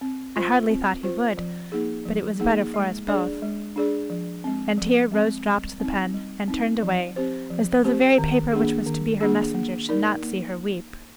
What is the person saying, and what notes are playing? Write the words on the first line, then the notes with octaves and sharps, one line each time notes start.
I hardly thought he would; but it was better for us both.' And here Rose dropped the pen, and turned away, as though the very paper which was to be her messenger should not see her weep.
C4
F4 C5
C4
F4 C5
F3
A#3 D#4 G#4
F3
A#3 D#4 G#4
G#3
D4 G#4 D5
G#3
D4 G#4 D5
F3
G#3 C4
F3
G#3 C4
G3
C4 D#4
G3
C4 D#4
F3
C4 G4 C5
F3
C4 G4 C5
D#3
A#3 D4 G#4
D#3
A#3 D4 G#4
A#3
D#4 A#4 D5
A#3